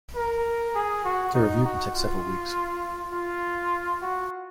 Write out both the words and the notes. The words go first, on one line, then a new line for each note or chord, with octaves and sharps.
The review can take several weeks.
A#4
G#4
F#4
D#4
F#4
F4
F4
F#4